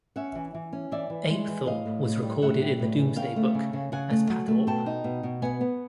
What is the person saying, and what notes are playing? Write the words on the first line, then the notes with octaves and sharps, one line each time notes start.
Apethorpe was recorded in the Domesday Book as Patorp.
C#4 E5 F#5
E3
E3
C#4
E3 D5 E5
E3
G#3
E3
A2 D#5 F5
A2
A2
G3
A2 E5 F#5
G3
A2
E3
C#3 F5 G5
A3
C#3
C#3
C#3 F#5 G#5
A3
F#3
A3
B2 G5 A5
D#4
B2
B2
B3 F#5 G#5
B3